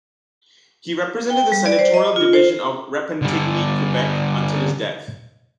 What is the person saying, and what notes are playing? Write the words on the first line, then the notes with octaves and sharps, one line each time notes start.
He represented the senatorial division of Repentigny, Quebec until his death.
G5
G3
D5
C5
D#5
F4
C5
D3 G3